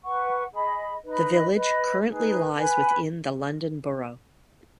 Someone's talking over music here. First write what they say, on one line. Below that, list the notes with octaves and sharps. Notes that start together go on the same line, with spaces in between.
The village currently lies within the London Borough.
B4 F#5 C#6
G#4 D#5 B5
D#4 B4 D#5 B5
B4 D#5 B5
D#4 G#4 B4
B4 G#5 B5